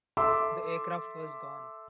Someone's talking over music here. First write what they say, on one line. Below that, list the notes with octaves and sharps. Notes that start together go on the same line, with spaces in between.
The aircraft was gone.
A4 E5 C6 D6 E6